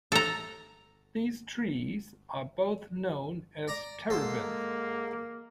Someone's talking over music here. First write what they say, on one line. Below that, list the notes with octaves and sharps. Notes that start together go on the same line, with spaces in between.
These trees are both known as terebinth.
A4 A#5
D5 A#5
G#2 A#3 A4 C6